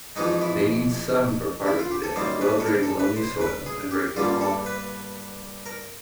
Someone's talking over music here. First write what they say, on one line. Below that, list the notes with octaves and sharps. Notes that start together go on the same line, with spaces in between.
They need sun for part of the day, well-drained loamy soil and regular water.
F2 C3 E3 G#3 D#4
E4
E4
F4
G4
A4
F#2 D#3 G3 A#3 C5
B4
A4
A#4
A4
B4
C5
B4
G#4
G4
G2 D3 G3 A#3 F4
A4
B4
A#4